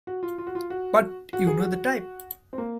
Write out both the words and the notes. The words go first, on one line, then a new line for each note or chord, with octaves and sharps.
But you know the type.
F#4
F4
F4
F#4
F4
F#4
F#4
G#4
F#4
C4
A#3